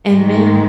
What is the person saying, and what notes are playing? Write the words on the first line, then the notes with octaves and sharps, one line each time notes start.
And then
G#2 D#3 G#3